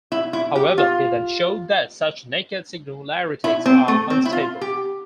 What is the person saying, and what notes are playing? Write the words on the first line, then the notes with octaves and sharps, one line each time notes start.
However, he then showed that such "naked singularities" are unstable.
E4
E4
G4
F4
E4
C4
A3
C4
E4
F4
G4